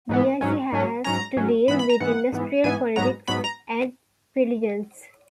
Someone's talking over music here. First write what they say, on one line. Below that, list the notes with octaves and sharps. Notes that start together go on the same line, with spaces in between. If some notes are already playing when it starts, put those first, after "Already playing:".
Vic has to deal with industrial politics at Pringle's.
G#2 E3 B3
G#2 F#3 C#4
G#2 F#3 C#4
G#2 F#3 C#4 A#5
G#2 F#3 C#4
G#2 E3 B3 B5
B5
A#5
G#2 E3 B3 F#5
G#2 E3 B3
G#2 E3 B3 G#5
G#2 F#3 B3 A#5
G#2 F#3 B3 B5
A#5